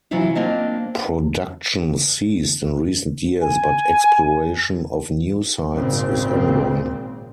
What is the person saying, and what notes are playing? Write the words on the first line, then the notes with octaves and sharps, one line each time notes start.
Production ceased in recent years but exploration of new sites is ongoing.
C3 E3 F#3 C#4 E4 F4
A#3 C4 D4 F4 C5 D#5
G#5
G#1 A#2 C#3 C4